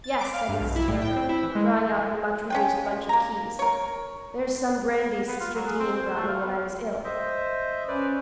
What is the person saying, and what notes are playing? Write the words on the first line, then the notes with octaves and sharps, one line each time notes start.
"Yes," said Mrs. Tulliver, drawing out her much-reduced bunch of keys, "there's some brandy sister Deane brought me when I was ill."
A6
D6
F5
G2
B1
E4
A2
G5
C4
E4
E3
G#3
C#4 F4 G5
A#3 A#5
A#4 C#5
B3
F4
F#3
G#4
C4
C5
A3
F5
B3
C5 D#5 E5
C#4 B4 C5 D5